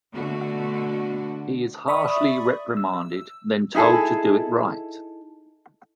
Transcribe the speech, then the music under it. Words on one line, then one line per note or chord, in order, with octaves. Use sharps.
He is harshly reprimanded, then told to do it right!
B2 D3 A3 F#4
D5 E5 B5 C#6 D#6
E6
D#4 E4 G#4 A4